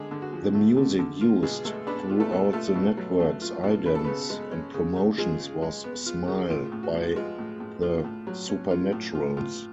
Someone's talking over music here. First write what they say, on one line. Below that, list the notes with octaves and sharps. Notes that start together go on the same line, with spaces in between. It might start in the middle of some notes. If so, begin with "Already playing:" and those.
The music used throughout the network's idents and promotions was "Smile" by The Supernaturals.
Already playing: D3 G#3 G#4
D3
F#4
F3
A3
D3
D3
F4
B2 G#3 G#4
G#3 A3 A4
B3 D4 B4
F4
A3 A4
B2
A3 F4 A4
B2
F#3
A3
F4
B2
C#3 B4
A4
C#3 B3 B4
G#3
C#4
C#3
C#3
G#3 F4 G#4
C#3
G#3
B3
F4
C#3
A2 F4
A2
F#4
F3
G#3 F4
A2
A2
F4
A2
F#3
C#4
F4
A2
F4
A2 F4